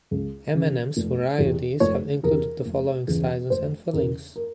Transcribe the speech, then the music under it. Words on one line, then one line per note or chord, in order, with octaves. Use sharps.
M and M's varieties have included the following sizes and fillings.
C#2
C#3 E3
F1
E2 C3
F1 C#5
E2 C3 A#4
F1
E2 C#3 E3
F1 C5
E2 C#3 E3 A#4
A#4